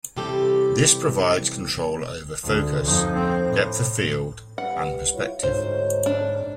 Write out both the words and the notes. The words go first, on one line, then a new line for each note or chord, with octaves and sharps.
This provides control over focus, depth of field, and perspective.
C3 E3 G3 G4 A4
D2
F2 D#4
C4
A2
G3 B4 F#5
E4 F4 C#5
D2 G#2 D#4 C5 C#5
D4